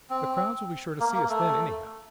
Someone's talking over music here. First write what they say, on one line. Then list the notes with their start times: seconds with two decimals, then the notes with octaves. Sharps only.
"The crowds will be sure to see us then, anyhow."
0.10 C4
1.00 A#3
1.14 A#3
1.30 A3